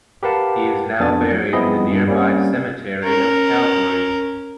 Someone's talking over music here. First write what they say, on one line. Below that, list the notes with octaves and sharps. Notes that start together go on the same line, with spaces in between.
He now is buried in the nearby cemetery of Calvary.
G4 A#4 B4 F5 F#5 A5
F2 B3 D4 G#5 A6
F#3
F3 B3 C4 E4 G#4 D#5
G2
G3 A#3 C4 C#4
C#4 A#4